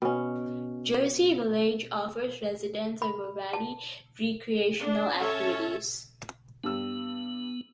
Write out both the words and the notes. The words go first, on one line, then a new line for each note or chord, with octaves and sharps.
Jersey Village offers residents a variety of recreational activities.
B2 C#4
B5
A5
D4
C#4 A4 C#5 E5 A5
G2 G3 B3 E6